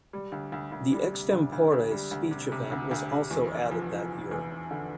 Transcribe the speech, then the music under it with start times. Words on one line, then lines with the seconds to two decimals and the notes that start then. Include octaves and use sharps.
The Extempore speech event was also added that year.
0.13 G3
0.32 D2
0.52 D2
0.72 D2
0.92 G3
1.12 C3
1.33 D2
1.52 D2
1.72 D2
1.91 G3
2.11 D2
2.31 C3
2.52 C3
2.72 D2
2.91 D2
3.11 D2
3.31 E2
3.52 F1
3.71 F3
3.91 F3
4.11 F1
4.31 E2
4.51 F1
4.71 D3